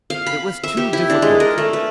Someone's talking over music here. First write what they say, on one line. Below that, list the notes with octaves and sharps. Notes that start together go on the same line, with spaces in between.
It was too difficult!
F5
B5
E5
G4
E4
D4
G#3
A#4
A3
B4